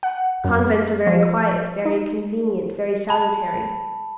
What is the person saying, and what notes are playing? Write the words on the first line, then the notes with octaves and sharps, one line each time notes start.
Convents are very quiet, very convenient, very salutary.
F#5
F#2
F3
D#4
A5 B5